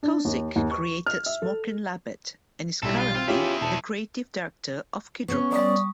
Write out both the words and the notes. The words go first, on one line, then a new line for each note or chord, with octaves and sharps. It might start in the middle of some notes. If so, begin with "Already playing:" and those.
Kozik created Smorkin' Labbit and is currently the Creative Director of Kidrobot.
D4
D#2
D#2
C#6
F6
E5
A4
B1 G3 E4 A4
F4
C4 F4
C#4 E4 F4 G4 G#4
E1 A5
B3 C#4 C#6
G3 D5 C#6 D#6